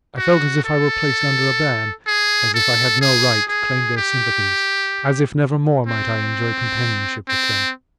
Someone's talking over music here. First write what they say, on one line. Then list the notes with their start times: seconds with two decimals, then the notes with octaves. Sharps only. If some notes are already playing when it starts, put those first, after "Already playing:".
I felt as if I were placed under a ban--as if I had no right to claim their sympathies--as if never more might I enjoy companionship with them.
0.18 F#4
0.65 A4
2.07 G#4
2.54 A4
3.01 G#4
3.49 G#4
3.97 G4
5.87 C4
7.28 C4